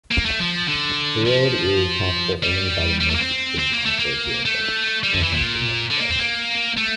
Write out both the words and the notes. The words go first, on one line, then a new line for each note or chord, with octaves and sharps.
The road is passable only by the most extreme off-road vehicles and adventure motorcycles.
A#3
A3
F3
D3
F3
G3
G3
A3
A#3
C4
C4
A#3
A3
A#3
A3
G3
D3
E3
A#2
D3
A#3
C4
A#3
A3